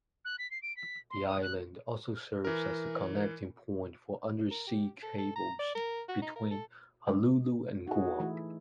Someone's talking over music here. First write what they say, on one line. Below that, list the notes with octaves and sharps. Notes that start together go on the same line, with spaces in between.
The island also serves as the connecting point for undersea cables between Honolulu and Guam.
F#6
B6
C7
D7
B6
C6
D#6
F#6
E3 A#4
A#4
G4
A4
A4
A#5
D5
A#4
F#4
D#4
A#4
A4
D#4 F#4 G#4
E3 A3 E4